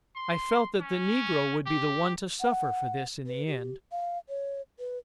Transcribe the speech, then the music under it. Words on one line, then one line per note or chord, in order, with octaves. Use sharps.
I felt that the Negro would be the one to suffer for this in the end.
C6
C#4
G4
F#5
B4
G4
F5
C#5
B4